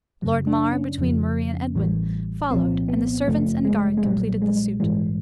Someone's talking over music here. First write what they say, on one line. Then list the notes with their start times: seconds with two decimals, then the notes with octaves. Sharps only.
Lord Mar, between Murray and Edwin, followed; and the servants and guard completed the suit.
0.22 F#2 C#3 F#3
0.47 D4
0.73 C#4
0.98 F2 C#3 F3
1.75 A1 A2 E3 G3
2.51 C2 A#2 F3 C4
2.88 B3
3.28 G1 F#2 C#3 F3 A3
3.65 G#3
3.97 G#3
4.04 B1 A#2 F#3 G3
4.42 G#3
4.80 A#1 G#2 E3 G3 G#3